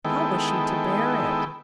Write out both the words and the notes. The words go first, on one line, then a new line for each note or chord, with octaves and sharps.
How was she to bear it?
D#3 G#3 B3 E4 A4 G5